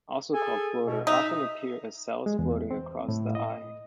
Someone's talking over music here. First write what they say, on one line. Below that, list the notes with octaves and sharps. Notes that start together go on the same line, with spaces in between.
Also called "floater" - often appear as cells floating across the eye.
G#4 A4 G#5
B2
D#4 E5
G#3
E2
C4
A2
D#5